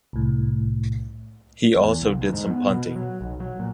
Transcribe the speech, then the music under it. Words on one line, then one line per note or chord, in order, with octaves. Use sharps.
He also did some punting.
C2 A2
E2
C2
D2
G#2
B3
B2
F#3
B1
F#3
A#2